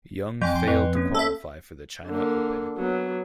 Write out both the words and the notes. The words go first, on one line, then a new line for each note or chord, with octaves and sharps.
Young failed to qualify for the China Open.
F2 G5 G#5 G6
C6
F2 B4
A#3 C#4
A4 E5
D3 A#3
F#3 B3